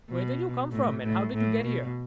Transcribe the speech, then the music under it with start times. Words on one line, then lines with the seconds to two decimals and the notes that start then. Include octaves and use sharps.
"Where did you come from and how did you get here?"
0.09 B2
0.71 A2
1.02 A2
1.34 A2
1.64 B2